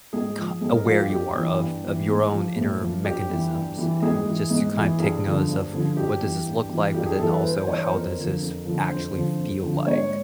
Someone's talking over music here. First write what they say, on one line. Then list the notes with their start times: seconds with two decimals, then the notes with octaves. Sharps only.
c aware you are of of your own inner mechanisms and just to kind of take notice of what does this look like, but then also how does this actually feel like,
0.13 G#2 G#4
0.37 F3
0.61 G#2 G#4
0.74 A#4
0.85 F3 F4
0.98 G4
1.10 G2 G4
1.35 E3
1.59 G2
1.84 E3
2.07 A2
2.32 F3
2.56 A2
2.81 F3
3.04 G2 G4
3.29 E3
3.53 G2
3.77 E3
4.02 G#2 G#4
4.26 E3
4.50 G#2
4.76 E3
4.99 G2 G#4
5.24 D3 F3
5.48 G2
5.73 D3 F3
5.97 G2 G4
6.21 E3
6.46 G2
6.69 E3
6.94 G2 G4
7.06 G#4
7.19 E3 A4
7.31 B4
7.43 G2 C5
7.55 C5
7.67 E3 C#5
7.79 C5
7.91 F2 A#4
8.16 D3 F3
8.41 F2
8.65 D3 F3
8.89 F2 C5
9.13 D3 F3
9.38 F2
9.62 D3 F3
9.87 G#2 C#5